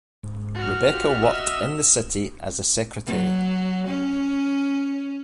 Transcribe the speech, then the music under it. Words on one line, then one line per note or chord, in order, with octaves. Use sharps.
Rebecca worked in the city as a secretary.
G#2
F#4 F6
F4 G4
D#5 E5 E6
F#3
C#4